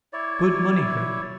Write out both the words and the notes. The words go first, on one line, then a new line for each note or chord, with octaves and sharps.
Good money, Gregg.
E4 C#5 D5